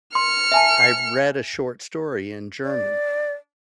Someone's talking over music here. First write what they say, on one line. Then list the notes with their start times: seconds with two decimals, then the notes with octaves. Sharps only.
I read a short story in German,
0.15 C6 F6 C#7
0.52 E5 G#5 A5
2.64 D5